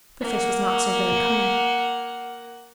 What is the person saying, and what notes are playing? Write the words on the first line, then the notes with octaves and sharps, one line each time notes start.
The face was not so very cunning.
A#3 F#5